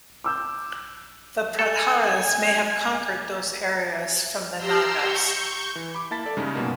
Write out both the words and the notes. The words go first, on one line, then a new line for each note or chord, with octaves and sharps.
The Pratiharas may have conquered these areas from the nagas.
D6 E6 G6
A4 G#5
G4 A#5 C6 E6
C#6 G6
E3
B5 D6
A#3 E4 A5 A6 B6
A4 D5
G2 C#3 G#3 D#4
F#2 B2 A#3